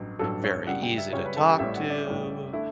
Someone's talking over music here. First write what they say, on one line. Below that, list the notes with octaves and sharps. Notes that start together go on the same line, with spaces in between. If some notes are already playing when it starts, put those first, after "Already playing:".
very easy to talk to,
Already playing: A1 G2 F#3
A1 G2 F#3 A4
C#5
F#2 C#3 G3 F#5
G5
E5
F#2 C#3 G3 C#5
B4
A4
G4
A1 A2 G3 C#4 E5
F#5
D5
A1 A2 G3 C#4
D3 A3 E4